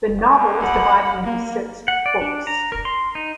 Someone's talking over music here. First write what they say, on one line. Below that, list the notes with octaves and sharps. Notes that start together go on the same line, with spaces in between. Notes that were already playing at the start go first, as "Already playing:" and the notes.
The novel is divided into six "books".
E2 A#2 D3
F#5 B5
A#3
F#5
D5
D4
A#5
A#4
C6
D#4